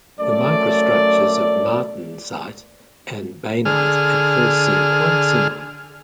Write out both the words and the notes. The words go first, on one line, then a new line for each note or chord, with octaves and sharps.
The microstructures of martensite and bainite at first seem quite similar.
F#2 A3 D5
D3 G#4 F6